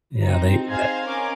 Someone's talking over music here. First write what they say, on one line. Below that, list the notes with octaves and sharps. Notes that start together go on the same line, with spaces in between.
Yeah, they tha
C4 D#4
D#4 G#4 C5 F5 C6 G#6
C#4 A#4 D6 G#6